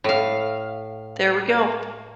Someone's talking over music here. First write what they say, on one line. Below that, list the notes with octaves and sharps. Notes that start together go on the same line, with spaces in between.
There we go.
A2 F5